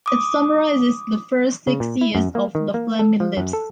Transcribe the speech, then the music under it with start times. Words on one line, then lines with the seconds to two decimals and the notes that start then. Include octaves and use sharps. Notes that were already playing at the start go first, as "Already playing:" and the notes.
It summarizes the first six years of The Flaming Lips.
0.06 D6 D#6
1.67 C#3
1.80 A#2
2.01 E4
2.15 F#2
2.35 A#3
2.55 D#3
2.74 A#3
2.99 A4
3.20 F3
3.37 F#2
3.53 A4